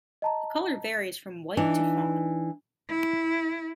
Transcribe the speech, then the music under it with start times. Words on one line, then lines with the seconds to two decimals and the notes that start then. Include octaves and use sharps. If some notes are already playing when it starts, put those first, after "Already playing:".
The color varies from white to fawn.
0.22 D#5 A5 A#5
1.57 E3 D4 D#4
2.89 E4